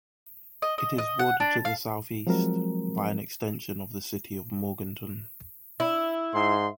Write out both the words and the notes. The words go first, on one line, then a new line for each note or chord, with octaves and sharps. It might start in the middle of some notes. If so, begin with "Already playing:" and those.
It is bordered to the southeast by an extension of the city of Morganton.
D#5
D#5
D#5
F#5
D4
F5
F3 F#3 G#3 C4 A#4
E4
G#2 C6